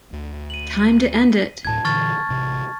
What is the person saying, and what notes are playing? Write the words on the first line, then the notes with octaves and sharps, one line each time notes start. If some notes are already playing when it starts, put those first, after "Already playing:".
Time to end it!
D2
D#7 F#7
D1 A2 A5 G#6
A#2 D3 E3 C#6 F6 A6
A1 C3